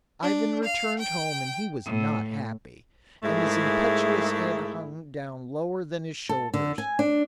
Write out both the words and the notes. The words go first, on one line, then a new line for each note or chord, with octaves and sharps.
Ivan returned home, and he was not happy, and his impetuous head hung down lower than his shoulders.
D4
F5
G5
A2
G#2 A3 A#3 E4 G#4
A4
D3
G#5
D4